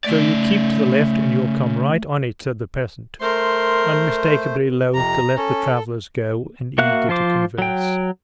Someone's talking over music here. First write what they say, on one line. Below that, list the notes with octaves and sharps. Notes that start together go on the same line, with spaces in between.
"So you keep to the left, and you'll come right on it," said the peasant, unmistakably loth to let the travelers go, and eager to converse.
C#3 A3 D5
A3 A#4 C5 C6
F2 C3 A#5
C#4 A4
A#3 F#4 E5 F5 F#6
F3 F4 C5 D6
F#3 G5